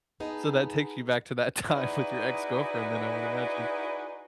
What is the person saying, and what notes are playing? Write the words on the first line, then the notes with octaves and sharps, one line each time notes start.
So that takes you back to that time with your ex-girlfriend then, I would imagine.
B3 D#4 G#4 A5
D#4 E4 F#4 G#4 B4 D5